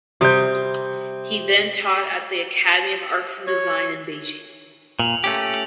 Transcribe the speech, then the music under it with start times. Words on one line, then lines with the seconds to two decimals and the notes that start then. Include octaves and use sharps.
He then taught at the Academy of Arts and Design in Beijing.
0.21 C3 G3 D#6 G6
3.47 C#5
4.99 A#2 F7 F#7
5.24 A3 C#4 G4